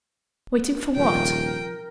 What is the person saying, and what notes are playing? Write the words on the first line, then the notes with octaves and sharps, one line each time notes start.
Waiting for what?
D#1 C3 F3 A#4 G5